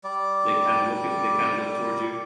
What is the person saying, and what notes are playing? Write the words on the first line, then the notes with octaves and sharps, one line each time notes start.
they kinda look at they kinda look towards you
G3 D5